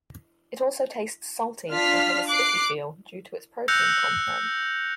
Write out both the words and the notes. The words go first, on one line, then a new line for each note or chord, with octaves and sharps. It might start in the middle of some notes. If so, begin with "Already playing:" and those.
It also tastes salty, and has a "sticky" feel due its protein content.
D4 F4 F6 B6 C7
D6 F#6 C7 D7
E6 F#6 G6 A#6 C#7 F7